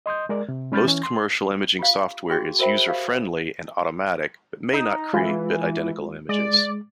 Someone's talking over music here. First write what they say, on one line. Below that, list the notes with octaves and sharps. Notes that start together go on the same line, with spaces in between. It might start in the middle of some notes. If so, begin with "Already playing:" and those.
Most commercial imaging software is "user-friendly" and "automatic" but may not create bit-identical images.
D#5 C6 D#6 G6
G#3 A#4 D5
C3
G#3 C#4 B5 F6 G6 A6
E3 C#4
C6
F4 G4 F5
F#4 G#4 G5 C6
F#4 A#4 C5 E5 G5 B5
G4 F5
D#4
E3 G#3 F4 B5
G#3 D5